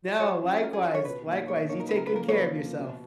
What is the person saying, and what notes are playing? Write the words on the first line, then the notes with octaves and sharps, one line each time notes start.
No, likewise, likewise, you take good care of yourself.
D#5
F#3 C#5
C#4 F4
F#3 A#4
G#4
C#4 F4 F#4
C#5
B2 B4
A#3 D#4
B2 C#5
D#5
A#3 D#4 C#5
A#4
C#3 B4
A#4
B4
F3 A#3 A#4
C#5
C#3 B4
F3 A#3
B2